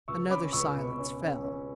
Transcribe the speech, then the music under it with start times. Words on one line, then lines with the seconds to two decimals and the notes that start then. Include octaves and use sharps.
Another silence fell.
0.08 C#2 C#6 E6
0.30 C#4 B5 D6
0.53 C#2 C#6 E6
0.76 B2
0.99 C#4
1.21 C#4
1.44 C#4